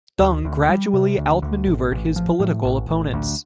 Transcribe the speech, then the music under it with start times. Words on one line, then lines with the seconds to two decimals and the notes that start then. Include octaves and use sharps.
Deng gradually outmaneuvered his political opponents.
0.20 D2
0.45 D2
0.69 G3
0.94 C3
1.18 D2
1.42 D2
1.67 A1
1.91 A1
2.16 F3
2.40 A2
2.64 A1
2.89 A1
3.13 D2